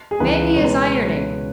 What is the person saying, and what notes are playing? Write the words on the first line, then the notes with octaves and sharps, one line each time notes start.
"Maggie is ironing."
G#4
C#2 C#3 E3 B4
C#2 B2 G#3 C#5
B4